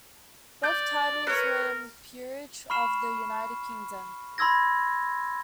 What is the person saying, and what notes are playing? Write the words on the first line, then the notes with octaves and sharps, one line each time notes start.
Both titles were in the Peerage of the United Kingdom.
D5 G6
A#4 B4 C#5
B5 C#6 F6 C7 E7
B5 C6 E6 G#6 A#6